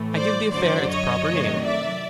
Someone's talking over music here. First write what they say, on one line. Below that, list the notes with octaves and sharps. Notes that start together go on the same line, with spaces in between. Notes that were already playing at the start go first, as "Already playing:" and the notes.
I give the affair its proper name.
Already playing: A2 E3 A3
C5 D5
F#2 D3 F#3 C5 D5
C#5 D#5
C3 D#3 F#3 A3 D4
D5 E5